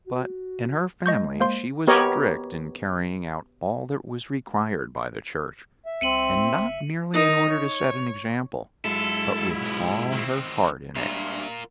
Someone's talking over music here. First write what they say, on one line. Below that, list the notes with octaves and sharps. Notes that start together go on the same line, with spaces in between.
But in her family she was strict in carrying out all that was required by the Church--and not merely in order to set an example, but with all her heart in it.
F#4
G#3 D#5 C#6 G6
A#3 C5 C6
B3 G4 A#4 C#5 D#5
E5
C2 C4 C#7 D#7 F#7
F#1
D#4 A#4
C#5
G#2 F#3 G#3 E4 F4 A4
B1 F3
D#3 C4
G#2 G3 D4 F4 A#4 E5